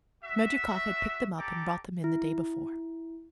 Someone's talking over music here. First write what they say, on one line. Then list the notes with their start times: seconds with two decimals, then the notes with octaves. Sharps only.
Smerdyakov had picked them up and brought them in the day before.
0.24 F#4 E5
1.38 G4 A4 D5 A#5 D6
2.04 E4